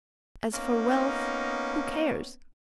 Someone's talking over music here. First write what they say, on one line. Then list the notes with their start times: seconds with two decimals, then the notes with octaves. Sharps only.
As for wealth, who cares?
0.53 A#3 B3 C#4 D#4